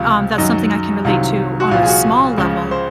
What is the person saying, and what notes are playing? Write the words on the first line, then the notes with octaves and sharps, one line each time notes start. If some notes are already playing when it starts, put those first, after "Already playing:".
um, that's something I can relate to on a small level,
Already playing: C#2 C3 F3 F4
F#2 D#3 F#3 D#4
C2 C3 D#3 F#3 F4
F#4
C2 A#2 F3 F4
G#4
F#4
C#2 C#3 F3
C5